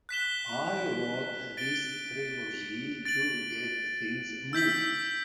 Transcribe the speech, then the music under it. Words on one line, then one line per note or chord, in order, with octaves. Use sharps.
I wrote this trilogy to get things moving.
F#6 B6 E7 G7
A6 D7 G7
A6 D7 F#7
E6 G6 B6 F#7